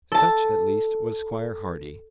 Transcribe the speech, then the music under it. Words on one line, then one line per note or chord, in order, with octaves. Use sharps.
Such, at least, was Squire Hardy.
A4 A5